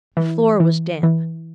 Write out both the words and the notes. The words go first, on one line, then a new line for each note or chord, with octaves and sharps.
The floor was damp.
E3
E3
E3